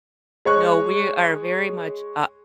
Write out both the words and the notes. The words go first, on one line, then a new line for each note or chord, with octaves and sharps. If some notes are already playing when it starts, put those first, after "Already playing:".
No, we are very much up.
G#3 C#5 C#6 F#6